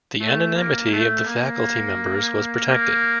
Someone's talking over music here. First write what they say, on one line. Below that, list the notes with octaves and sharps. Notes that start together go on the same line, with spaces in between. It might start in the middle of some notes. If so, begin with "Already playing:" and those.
The anonymity of the faculty members was protected.
A3
A#3
A3
A#3
A#3